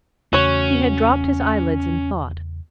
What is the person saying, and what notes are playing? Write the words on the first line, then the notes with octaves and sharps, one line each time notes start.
He had dropped his eyelids in thought.
E2 C#3 A3 C#4 F#4 C#5